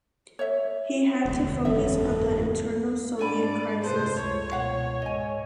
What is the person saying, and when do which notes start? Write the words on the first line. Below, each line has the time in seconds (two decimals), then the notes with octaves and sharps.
He had to focus on the internal Soviet crisis.
0.39 C#5 E5
1.25 E1 D2
1.65 F#1 E2 G#2 A4 E5
3.19 G#2 G#3 D4 A4 D5 G#5 B5
3.82 F#2 C3 G#3 A3 G#4 A4 B4 C5
4.18 C#2 C#5
4.51 B2 F5 F#5
5.02 G#2 D#5 G#5